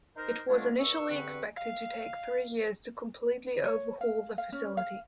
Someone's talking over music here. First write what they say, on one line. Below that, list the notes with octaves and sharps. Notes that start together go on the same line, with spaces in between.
It was initially expected to take three years to completely overhaul the facility.
D#4 A#4 C5
D3 F3 G#3 A3 C#4 D4
C#2 A#2 C#6 E6
E2 G2 D3 C4 B4 C#6
F5
C#5
F5
F5
C#4
F5